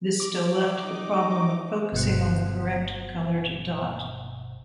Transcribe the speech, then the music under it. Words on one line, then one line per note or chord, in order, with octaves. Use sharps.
This still left the problem of focusing on the correct colored dot.
D6
D#4 D#5
G1 B2 C5 F#5